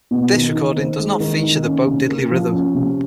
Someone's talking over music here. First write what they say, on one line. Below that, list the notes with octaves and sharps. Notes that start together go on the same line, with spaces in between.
This recording does not feature the Bo Diddley rhythm.
B2
D#3
D#3
C4
G#3
D#3
D#3
C#4
C3
A#3
F3
C#4
C3